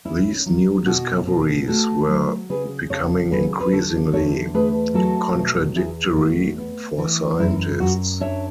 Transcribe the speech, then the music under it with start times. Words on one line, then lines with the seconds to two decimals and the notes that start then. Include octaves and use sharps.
These new discoveries were becoming increasingly contradictory for scientists.
0.05 C#4 E4
0.46 F#3
0.86 B2 F#4
1.27 B2
1.68 A3 F#4 A4
2.09 F#3
2.50 C#3 G#4 B4
2.90 C#3 A4 C#5
3.31 F#3 G#4 B4
3.60 B4
3.72 D3 F#4 A4
4.13 E2 A4 C#5
4.54 A3 G#4 B4
4.94 F#3 F#4 A4
5.35 B2
5.76 E2 E4 G#4
6.17 A3 F#4
6.58 B3
6.98 E3
7.39 F#2 E4
7.80 F#2 F#4
8.20 D4 C#5 E5